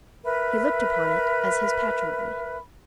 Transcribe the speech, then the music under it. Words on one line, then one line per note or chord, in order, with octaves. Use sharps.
He looked upon it as his patrimony.
A#4 B4 E5 B5